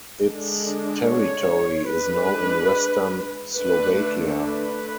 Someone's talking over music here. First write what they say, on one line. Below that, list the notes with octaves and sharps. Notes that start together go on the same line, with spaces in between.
Its territory is now in western Slovakia.
D3 G#3 D4
C#5
G#3 D4 B4
D3 A3 D4 B4
B4